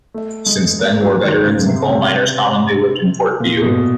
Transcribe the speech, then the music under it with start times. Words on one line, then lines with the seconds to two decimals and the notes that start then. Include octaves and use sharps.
Since then, war veterans and coal miners commonly lived in Port Vue.
0.14 A3
0.46 G#3
0.79 A#3
1.00 F#3
1.22 D#3
1.45 C#3
1.66 C3
1.87 C3
3.40 A#2
3.62 B2